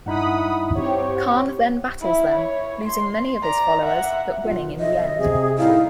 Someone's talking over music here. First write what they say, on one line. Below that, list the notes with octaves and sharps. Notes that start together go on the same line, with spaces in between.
Khan then battles them, losing many of his followers, but winning in the end.
G2 D#4 E4 F#5 B5 D#6
C4 G4 C#5
F#5
E4 E5
C#5
C6
D5 A#5
E5 F#5
B1 F4
D#5 E5
C3 G#4
A2 G3 D#4 E4 F5